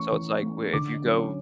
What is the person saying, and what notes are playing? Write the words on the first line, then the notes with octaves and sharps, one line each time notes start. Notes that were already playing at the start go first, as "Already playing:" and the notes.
So, it's like, we if you go
Already playing: E3 A3 C#4 C#6
E3
A3 C#4
D3 D6
F#3 C#4